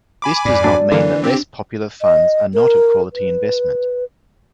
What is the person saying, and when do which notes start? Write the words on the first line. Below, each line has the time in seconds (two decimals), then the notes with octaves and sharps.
This does not mean that less popular funds are not a quality investment.
0.22 G#5 B5 D6
0.45 F2 G#2 D5
0.64 F#3 D4
0.92 D3 E3 A#3 D4
1.24 C4 G4
2.02 D#5
2.54 A#4
3.13 B4